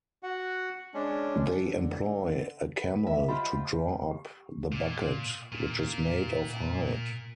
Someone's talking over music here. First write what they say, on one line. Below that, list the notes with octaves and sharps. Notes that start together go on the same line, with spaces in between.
They employ a camel to draw up the bucket, which is made of hide.
F#4 F#5
G#3 C#4 D4
D3
B4
E5
F4 G4 C5 D#5 F#5 B5
G4
A#2
A#2